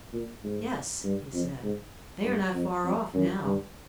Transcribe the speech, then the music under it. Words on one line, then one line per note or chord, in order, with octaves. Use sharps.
'Yes,' he said, 'they are not far off now.'
A#2
G#2
G2
F2
G#2
G2
F2
F2
F#2
G2